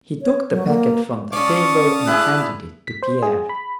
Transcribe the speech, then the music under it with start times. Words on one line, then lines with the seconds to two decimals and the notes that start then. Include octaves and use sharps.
He took the packet from the table and handed it to Pierre.
0.22 C#5
0.51 F#3
0.67 A#3
1.33 C#4 D5 F5 A5 C#6 D#6
2.07 D4 E4 G4 G#4 F#6
2.87 B6
3.02 C5
3.23 G#4
3.49 B5